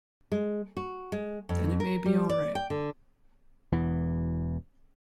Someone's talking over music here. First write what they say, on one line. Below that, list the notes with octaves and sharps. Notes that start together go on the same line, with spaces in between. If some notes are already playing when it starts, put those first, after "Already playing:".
Then it may be all right.
G#3
F#4
G#3
F2
A#4
G3
D5
G5
D3
E1 E2 E3 B3